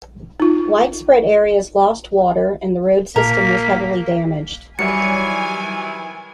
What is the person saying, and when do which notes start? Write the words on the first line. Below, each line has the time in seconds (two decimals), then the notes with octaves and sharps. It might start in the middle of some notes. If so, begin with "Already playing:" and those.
Widespread areas lost water, and the road system was heavily damaged.
0.40 D#4 F4
3.16 A#2 A#3 A#4 B6
4.79 C3 D#3 E3 F#3 G3 E4 G#5 C#7